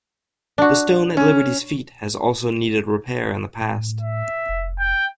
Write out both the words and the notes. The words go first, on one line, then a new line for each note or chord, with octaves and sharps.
The stone at Liberty's feet has also needed repair in the past.
D4 F#4
C#4
A2
E5
F1
G5